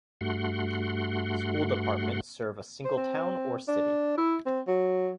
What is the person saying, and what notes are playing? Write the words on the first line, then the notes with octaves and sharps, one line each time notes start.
School Departments serve a single town or city.
G2 A3 F#4 F#5 C6
C5
C4
D4
E4
C4
F#3